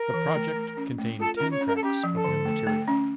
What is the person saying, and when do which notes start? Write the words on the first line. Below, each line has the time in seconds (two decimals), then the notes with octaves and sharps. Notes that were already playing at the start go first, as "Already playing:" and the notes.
The project contained ten tracks of new material.
Already playing: A#4
0.14 E3
0.35 A3
0.56 A3
0.77 C#4
0.98 A3
1.19 F4 A4
1.35 A#4
1.40 C#4
1.50 C#5
1.61 C#4
1.67 A#4
1.76 A4
1.83 C#4 G4
2.04 F3
2.14 A4
2.24 D3
2.45 A3
2.67 A3
2.88 C#4